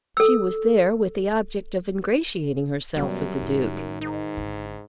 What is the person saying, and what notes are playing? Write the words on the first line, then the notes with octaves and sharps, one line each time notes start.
She was there with the object of ingratiating herself with the Duke.
A4 E6
F#2 B2 D#3 F#3 G3
A1 D#3 G#3
G#2 D#4
G#1 D3